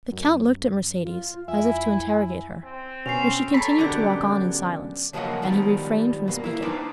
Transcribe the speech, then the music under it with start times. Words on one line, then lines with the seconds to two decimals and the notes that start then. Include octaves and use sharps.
The count looked at Mercedes as if to interrogate her, but she continued to walk on in silence, and he refrained from speaking.
0.13 F#2
1.03 F4
1.48 F2 E4 G#5
2.65 C4
3.06 B2 C#4 C7 F7
3.54 A4 C#5 D5 A#5 B5
3.78 F#2 B2 D3 G4 D5
5.13 C#3 F3 F#3 A#3 D#5 F#5
5.42 G#2 B2 D#3 F3 G3
6.28 B2 A#3
6.44 A#3 E4
6.62 D4 D#4 B4 C5 D5 G5